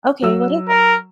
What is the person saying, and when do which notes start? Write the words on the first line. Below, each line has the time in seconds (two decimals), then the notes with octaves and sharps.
Okay, what is it?
0.22 F#3 E6
0.69 A#4